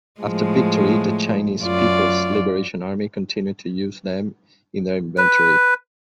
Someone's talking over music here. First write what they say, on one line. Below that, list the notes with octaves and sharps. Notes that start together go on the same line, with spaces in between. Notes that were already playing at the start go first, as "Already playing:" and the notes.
After victory, the Chinese People's Liberation Army continued to use them in their inventory.
A2 F3 G#3
F#2 F4 D5
B4